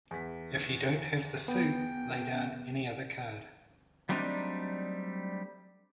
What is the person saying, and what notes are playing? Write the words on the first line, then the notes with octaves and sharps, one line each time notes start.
If you don't have the suit, lay down any other card.
E2 B6
B3 G5
F#3 G3 A3 C4 D4 D#4